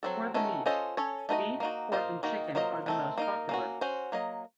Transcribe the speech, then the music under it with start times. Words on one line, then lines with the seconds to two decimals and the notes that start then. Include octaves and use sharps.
For the meat, beef, pork, and chicken are the most popular.
0.03 F#3 C4 F#4 A4
0.34 D#3 A3 C#4 F#4
0.66 C#4 F4 A4 C5 D#5
0.97 C#4 A4 C#5
1.29 A3 D#4 F#4 C5 D#5
1.60 A#3 D#4 F#4
1.92 A#3 F4 C5 D#5
2.23 D#3 A#3 D#4 F#4
2.55 F#3 A#3 F4 C5 D#5
2.86 D#3 A3 C4
3.18 A#3 D#4 A#4
3.49 A#3 C#4 F#4
3.81 C#4 F#4 C5
4.12 F#3 A#3 D#5